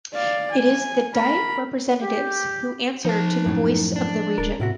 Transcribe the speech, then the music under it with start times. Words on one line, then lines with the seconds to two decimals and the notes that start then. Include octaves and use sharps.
It is the Diet representatives who answer to the voice of the region.
0.14 D5 F5
0.52 G#5
1.14 A#4 B5
2.01 G4
3.05 F3 D#4 A5
3.46 F#2 A2
3.96 D4
4.38 D1 G#3 A4 A#4
4.60 A2 C3 E4 F#4